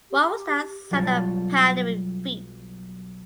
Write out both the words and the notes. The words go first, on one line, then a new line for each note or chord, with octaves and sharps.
What was that sound of pattering feet?
G4
B1 F#3 G3 F4 C5 A5